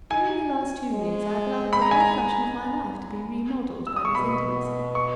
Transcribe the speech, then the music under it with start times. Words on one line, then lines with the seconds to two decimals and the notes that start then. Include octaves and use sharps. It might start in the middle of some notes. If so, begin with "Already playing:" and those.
During the last two years I have allowed the whole fashion of my life to be remodelled by this intimacy.
0.10 D#4 G#5
0.51 C#4
0.92 G#3
1.73 B5
1.82 A#5
1.91 G#5
2.00 A#5
3.87 E6
3.96 D#6
4.05 C#6
4.14 B2 B5
4.95 C#6